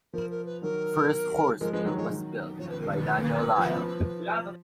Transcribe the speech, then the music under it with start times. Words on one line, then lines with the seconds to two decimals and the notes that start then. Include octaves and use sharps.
First horse mill was built by Daniel Lile.
0.13 F3 A#4
0.30 A#4
0.46 B4
0.62 D#3 F#3 A#4
1.60 F3 G#3 A#4
1.73 F3 G#3 B4
1.85 D#3 F#3 B4
1.97 F3 G#3 C#5
2.10 D#3 F#3
2.59 F3 C#5
2.70 B4
2.81 A#4
2.91 C#5
2.94 B4
3.58 F3